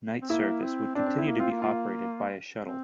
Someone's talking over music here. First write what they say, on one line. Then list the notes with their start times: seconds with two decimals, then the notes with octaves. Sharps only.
Night service would continue to be operated by a shuttle.
0.22 C4
0.30 A#3 E4
0.63 C4
0.95 C4 D4
1.07 D4
1.18 E4
1.28 A#3
1.40 C4 F4
1.51 A#3
1.62 F4
2.61 C4